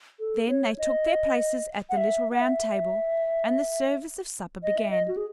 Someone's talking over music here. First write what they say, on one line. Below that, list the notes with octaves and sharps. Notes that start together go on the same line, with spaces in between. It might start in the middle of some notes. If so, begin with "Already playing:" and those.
Then they took their places at the little round table and the service of supper began.
A4
C#5
D#5
F#5
E5
F#5
E5
D#5
E5
D#5
F#4
G#4